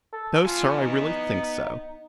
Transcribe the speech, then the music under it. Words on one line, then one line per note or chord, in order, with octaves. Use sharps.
'No, Sir, I really think so.
A4
B3 F4 G#5
D#4